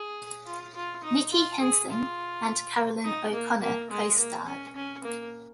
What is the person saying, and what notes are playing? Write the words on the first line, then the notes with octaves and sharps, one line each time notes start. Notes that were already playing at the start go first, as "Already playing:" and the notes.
Nicky Henson and Caroline O'Connor costarred.
Already playing: G#4
F4
F4
D#4
F4
G#4
F4
D#4
A#3
A#3
G#3
A#3
C#4
C#4
A#3